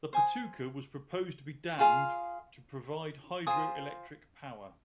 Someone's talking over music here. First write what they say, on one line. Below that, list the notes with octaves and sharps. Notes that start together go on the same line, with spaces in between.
The Patuca was proposed to be dammed to provide hydroelectric power.
C5 G#5 D#6
F4 G#4 F5 C6
F4 C5 G#5 D#6